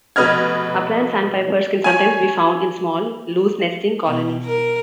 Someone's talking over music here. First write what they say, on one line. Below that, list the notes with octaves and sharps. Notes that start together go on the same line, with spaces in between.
Upland sandpipers can sometimes be found in small, loose nesting colonies.
F1 B2 B4 D#5 F6 G#6
C#5 G#5
B2
A#4